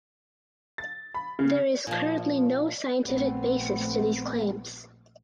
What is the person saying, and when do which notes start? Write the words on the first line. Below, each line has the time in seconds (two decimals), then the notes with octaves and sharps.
There is currently no scientific basis to these claims.
0.78 A6
1.14 B5
1.39 C#3
1.87 A#2 F3
3.05 A#1 A3 B3 C4